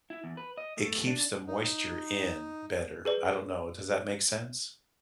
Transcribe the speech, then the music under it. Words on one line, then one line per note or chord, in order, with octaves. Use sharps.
it keeps the moisture in better. I don't know, does that make sense?
E4
E2
B4
D#5
A3
D4
D#4
G#4 B4 D5